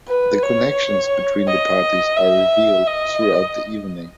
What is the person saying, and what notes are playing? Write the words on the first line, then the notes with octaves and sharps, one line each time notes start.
The connections between the parties are revealed throughout the evening.
B4
C#5
D#5
E5
D#5